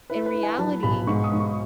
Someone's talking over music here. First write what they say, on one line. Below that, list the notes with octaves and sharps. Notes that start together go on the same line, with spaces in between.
in reality,
E4 B4
B4
E4
G#5
F#3 A5
B1 B5
G#2 C#6
D#6
G#2
C#6